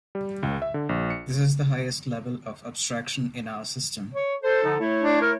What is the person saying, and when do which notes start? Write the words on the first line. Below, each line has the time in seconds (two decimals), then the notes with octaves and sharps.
This is the highest level of abstraction in our system.
0.15 G3
0.43 C#2
0.62 E5
0.74 D3
0.89 A#1
1.10 C#7
4.14 C#5
4.42 A4 C5
4.64 D3 F3 D#4
4.79 A3 E4 C#5
5.02 D4
5.21 A#4